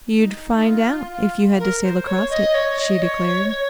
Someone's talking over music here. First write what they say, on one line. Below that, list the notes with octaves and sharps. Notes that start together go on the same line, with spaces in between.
"You'd find out, if you had to sail across it," she declared.
D#4
D#4
F4
F4
A#4
C5
C#5
D#5
C#5
D#5
C#5
C#5